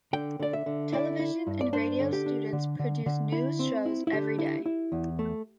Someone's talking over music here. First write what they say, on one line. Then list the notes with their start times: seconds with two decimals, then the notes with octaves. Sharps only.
Television and radio students produce news shows every day.
0.13 D3 G5
0.40 D3 D5
0.53 E5
0.66 D3
0.93 E4 D5
1.19 E4
1.47 G2
1.61 D5
1.73 D4 C5
2.00 D3
2.13 G4
2.26 D4
2.53 D3
2.79 D3
3.06 D3
3.32 E4
3.59 C4
3.86 E4
4.07 E4
4.13 D3 G4
4.38 E4
4.66 E4
4.92 E2
5.19 A3